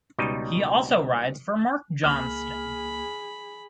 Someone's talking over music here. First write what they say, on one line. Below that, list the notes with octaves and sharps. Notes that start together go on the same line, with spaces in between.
He also rides for Mark Johnston.
C#2 B2 G3 D#4 D#5
C#2 A#3 G#4 B5 F6